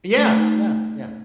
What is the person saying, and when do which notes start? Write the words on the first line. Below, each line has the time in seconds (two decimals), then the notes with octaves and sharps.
yeah! Yeah, yeah.
0.17 A3
0.37 D#4
0.56 A3